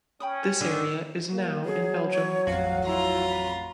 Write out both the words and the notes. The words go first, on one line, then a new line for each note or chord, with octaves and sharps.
This area is now in Belgium.
C#4 G5 B5 D#6
D3
A#3
F#3 G#4
C#5
A1 F2 F#4 F5
E4 F4 A#5
B5